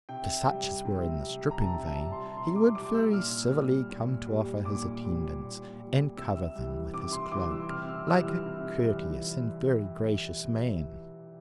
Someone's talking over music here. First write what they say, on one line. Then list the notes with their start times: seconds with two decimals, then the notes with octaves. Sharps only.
To such as were in the stripping vein he would very civilly come to offer his attendance, and cover them with his cloak, like a courteous and very gracious man.
0.09 C3 G5
0.47 G3
0.85 C3
1.22 G3
1.51 A#5
1.61 C3 A5
1.86 A5
1.99 G3
2.12 C6
2.37 C3 C6
2.56 D6
2.75 G3 D6
2.94 E6
3.13 A#2 F6
3.51 G3
3.90 A#2
4.27 G3
4.65 A#2 D6
5.04 G3
5.41 A#2
5.80 G3
6.17 C3 E6
6.56 E3 G3
6.94 C3 D6
7.12 C6
7.31 E3 G3 D6
7.51 E6
7.69 C3 F6
7.88 E6
8.08 E3 G3 E6
8.27 F6
8.46 C3
8.84 E3 G3